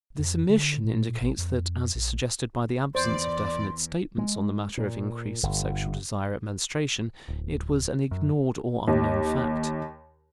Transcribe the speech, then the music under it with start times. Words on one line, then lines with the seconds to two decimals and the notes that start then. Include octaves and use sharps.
This omission indicates that, as is suggested by the absence of definite statements on the matter of increase of sexual desire at menstruation, it was an ignored or unknown fact.
0.19 F2
0.49 D3
0.84 A#2
1.22 A1
1.38 F2
1.95 A#1
2.95 E2 C5 D5 C6
4.18 G#3
4.77 A#2
5.43 G1
7.28 D1
8.11 F#2
8.88 D#2